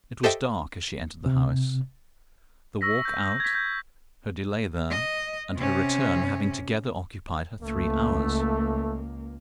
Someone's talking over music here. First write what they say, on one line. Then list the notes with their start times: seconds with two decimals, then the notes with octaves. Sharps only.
It was dark as she entered the house--the walk out, her delay there, and her return having together occupied her three hours.
0.23 G4 A4 C5 D#5 E5 G5
1.26 C3
2.81 C#6 E6 A#6 B6
3.04 E6 G6
3.40 G#6 B6
3.55 G6
4.90 D#5
5.55 C3 C#4
7.63 C#2 A3 A#3